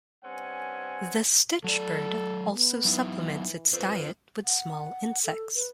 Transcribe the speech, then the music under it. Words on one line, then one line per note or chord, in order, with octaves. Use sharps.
The stitchbird also supplements its diet with small insects.
G2 C4 C#4 F#5 G#5
F#3 A4 D5
B3
E3 F#3 D#4 E4
F4 A4 B4 C5
F#5
A4
B4